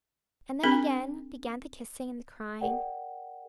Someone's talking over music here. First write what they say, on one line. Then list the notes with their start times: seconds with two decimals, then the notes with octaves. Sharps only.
And then again began the kissing and the crying.
0.64 C4 D4 G#4 A#4 B5
2.61 G#4 A#4 D5 F#5 G5